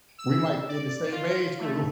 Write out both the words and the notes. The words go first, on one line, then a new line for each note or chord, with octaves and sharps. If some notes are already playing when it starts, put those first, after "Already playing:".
We might be in the same age group.
E6
D5
F4
A3